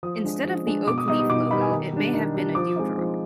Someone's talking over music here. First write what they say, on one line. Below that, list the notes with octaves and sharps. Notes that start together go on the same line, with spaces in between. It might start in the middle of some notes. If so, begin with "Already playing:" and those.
Instead of the Oak Leaf logo it may have been a dew drop.
F3 D#6
G#3 D4
F3
G#3 D4
B2 D6
D#6
G3 B3 D#4 D#6
D#6
B2 D6
G3 B3 D#4 B5
G#5
D#3
G3 D4
D#3
G3 D4
F3 D6
G#3 C4 D#4
F3